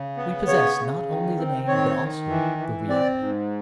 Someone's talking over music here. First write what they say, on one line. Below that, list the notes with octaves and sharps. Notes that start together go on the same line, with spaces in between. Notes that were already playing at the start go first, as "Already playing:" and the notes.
We possess not only the name, but also the reality.
Already playing: C#3
B3
C#3 C#5
C#3
D#3
C4
D#3 C#5
D#3
E3
E3
C4 D5
G#2